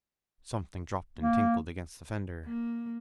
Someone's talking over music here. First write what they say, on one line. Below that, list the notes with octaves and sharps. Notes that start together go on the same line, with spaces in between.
Something dropped and tinkled against the fender.
A#3
A#3